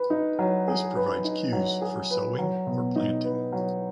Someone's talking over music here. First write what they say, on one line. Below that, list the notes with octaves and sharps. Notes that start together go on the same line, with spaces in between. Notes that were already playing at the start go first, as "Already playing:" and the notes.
This provides cues for sowing or planting.
Already playing: B4
D#4
F#3
G#4
B4
D#4
F#3
G#4
B4
F#3
B2
D#4
B4
F#3